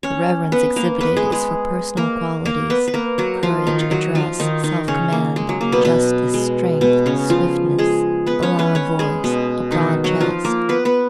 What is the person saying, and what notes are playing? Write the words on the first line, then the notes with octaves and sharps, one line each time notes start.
The reverence exhibited is for personal qualities; courage, address, self-command, justice, strength, swiftness, a loud voice, a broad chest.
C#4 C#5
B3 B4
A#3 A#4
B3 B4
G#3 G#4
G#3 G#4
A#3 A#4
A#3 A#4
B3 B4
B4
A#3 A#4
F#3 F#4
F3 F4
D#3 D#4
F4
F#3 F#4
F3 F4
D#3 D#4
D#3 D#4
C#3 C#4
A#3
G#3
F#3
A#3
B2 B3
B2 B3
G#3
B2 B3
C#3 C#4
F3 F4
G#3 G#4
B3 B4
C#4 C#5
B3 B4
C#4 C#5
G#3 G#4
B2 B3
D#3 D#4
F#3 F#4
F3 F4
A#3 A#4
B3 B4
B3 B4